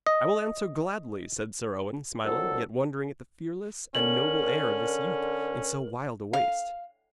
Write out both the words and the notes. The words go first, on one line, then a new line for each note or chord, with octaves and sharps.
'I will answer gladly,' said Sir Owen, smiling, yet wondering at the fearless and noble air of this youth in so wild a waste.
D#5
C2 A#2 D3 F#3 A4
D3 C#4 A#4 F#7
F5